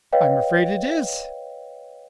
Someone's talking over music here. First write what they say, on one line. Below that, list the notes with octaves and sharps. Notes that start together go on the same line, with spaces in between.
"I'm afraid it is."
B4 C#5 D#5 F5 G5